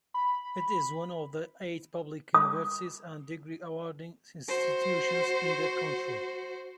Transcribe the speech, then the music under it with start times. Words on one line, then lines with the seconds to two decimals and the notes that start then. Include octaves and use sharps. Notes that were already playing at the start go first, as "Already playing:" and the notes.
It is one of the eight public universities and degree-awarding institutions in the country.
0.14 B5
2.35 D#6
4.48 F#4 C5